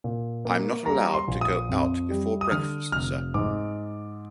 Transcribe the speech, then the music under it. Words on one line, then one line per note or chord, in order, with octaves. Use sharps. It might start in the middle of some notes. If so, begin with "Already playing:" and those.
I'm not allowed to go out before breakfast, sir.
A#2
A#3
G3 A#5
C6
A#1
D#6
F2
G3
D#6
D3 F6
F1 F6
G#2 D6